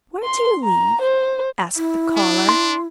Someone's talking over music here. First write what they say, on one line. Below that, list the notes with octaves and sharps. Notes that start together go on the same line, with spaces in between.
"Where do you live?" asked the collar.
C6
A#5
C5
E4
D4
C6